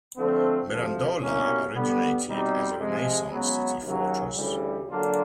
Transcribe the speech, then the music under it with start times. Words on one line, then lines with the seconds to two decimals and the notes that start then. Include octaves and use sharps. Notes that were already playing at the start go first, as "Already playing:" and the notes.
Mirandola originated as a Renaissance city-fortress.
0.15 D3 F3 A3 C4
0.67 D2 C3 F3
1.20 C2 B2 G3 A#3 C#4
1.73 D3 G3 B3
2.25 B2 G3 C4 D#4
2.78 C3 F3 G#3
3.31 C#2 C#3 F#3 B3
3.83 D#2 C#3 F#3
4.36 D2 C#3 E3 G3
4.89 D3 F#3 A#3 D4 F4